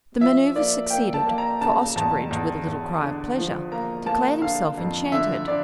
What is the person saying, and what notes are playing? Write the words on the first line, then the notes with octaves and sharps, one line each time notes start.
The maneuver succeeded, for Osterbridge, with a little cry of pleasure, declared himself enchanted.
F3 E5
A#3 D5
A#3 G5
A5
A#3
A#5
C#3 A5
E2 A5
E2
E2
D3
F3
A#3 A#5
A#3 A5
D3 F5
F2
D3 E5
D3 D5